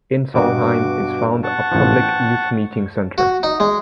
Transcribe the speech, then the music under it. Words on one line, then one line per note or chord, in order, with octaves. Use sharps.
In Saulheim is found a public youth meeting centre.
G2 B2 F#4 D6
F#5 A5 C#6
A1 F3
G5
F#4
D#4
G#3